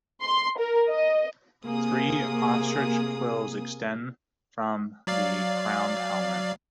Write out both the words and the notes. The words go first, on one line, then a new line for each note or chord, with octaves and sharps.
Three ostrich quills extend from the crowned helmet.
C6
A#4
D#5
C3 A#3 G#4 D#6
F#3 D5 F5